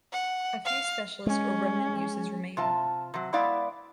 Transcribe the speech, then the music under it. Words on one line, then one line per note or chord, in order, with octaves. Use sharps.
A few specialist or remnant uses remain.
F#5
F5
G#3 C#4
C3 F4 A5
C3 F#3
G#3 B3 E4 D5 F5